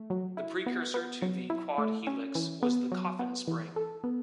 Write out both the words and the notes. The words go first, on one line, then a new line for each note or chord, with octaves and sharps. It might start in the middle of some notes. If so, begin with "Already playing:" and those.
The precursor to the quad-helix was the coffin spring.
Already playing: A3
F#3
E4
B3
B3
F#3
E4
A3
C#4
E3
B3
F#3
B3
E3
A4
B3